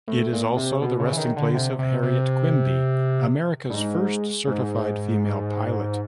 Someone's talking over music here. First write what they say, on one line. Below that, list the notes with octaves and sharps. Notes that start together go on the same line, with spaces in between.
It is also the resting place of Harriet Quimby, America's first certified female pilot.
A2
A#2
C3
B2
C#3
E3
D#3
D3
C3
C3
C3
G2
G#2
G#2